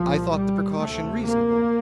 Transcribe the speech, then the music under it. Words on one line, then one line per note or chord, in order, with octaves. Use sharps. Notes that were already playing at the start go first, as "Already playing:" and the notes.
I thought the precaution reasonable.
Already playing: C2 A#2 F3
G3
D2 C3 A3
A#3